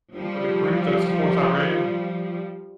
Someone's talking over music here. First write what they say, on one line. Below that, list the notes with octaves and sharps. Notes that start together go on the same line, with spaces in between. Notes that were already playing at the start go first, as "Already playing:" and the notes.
uh, the group that supports Iran?
F3 G3